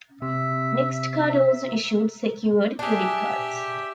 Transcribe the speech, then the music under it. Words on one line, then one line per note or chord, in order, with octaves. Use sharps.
NextCard also issued secured credit cards.
C3 E5
D4 G4 G#4 E5